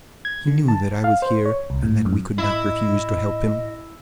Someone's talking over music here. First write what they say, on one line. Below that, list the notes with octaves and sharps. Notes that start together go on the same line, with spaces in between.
He knew that I was here and that we could not refuse to help him.
G#6
D3
A5
F5
C5
C#5
C2
A2
F#2
A2 E4 D#5